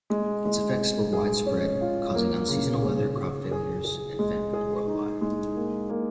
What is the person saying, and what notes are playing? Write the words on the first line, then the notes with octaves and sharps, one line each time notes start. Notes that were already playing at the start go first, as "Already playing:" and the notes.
Its effects were widespread, causing unseasonal weather, crop failures and famines worldwide.
G#3
G#3
G#3
G#4
C#4
F4
A#3
C#3
G#4
G#4
G#4
G#4
G#3
G#4
D#4
G#3
A#3
A#3